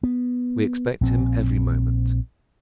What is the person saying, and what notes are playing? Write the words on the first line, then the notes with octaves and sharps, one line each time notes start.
"We expect him every moment."
B3
A#1 C4